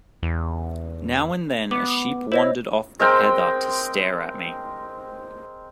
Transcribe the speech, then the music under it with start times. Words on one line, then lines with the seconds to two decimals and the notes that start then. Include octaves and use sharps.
Now and then a sheep wandered off the heather to stare at me.
0.23 E2
1.71 B3 D6
2.32 E4 C5 C#5 D#5
2.99 G#3 C4 A#4 G5